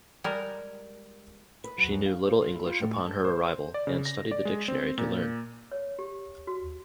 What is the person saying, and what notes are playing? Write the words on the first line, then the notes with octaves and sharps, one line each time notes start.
She knew little English upon her arrival and studied the dictionary to learn.
G3 G#3 A#4
B4
F#3
F#2
F5
C5
F4
E4
F4
A2
A5
C5
D5
C#3
A#6
D5
G#3
C4
A#2
C#5
G4
F#4